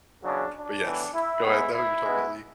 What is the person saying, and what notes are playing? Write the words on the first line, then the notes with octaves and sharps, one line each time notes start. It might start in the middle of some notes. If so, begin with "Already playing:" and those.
but yes, go ahead, though. You're talking about League.
E2 C#3 F#3 D4
D4
A2 E3 B3
E4
G#2 G#3 B3 E4
E4
B2 G#3 B3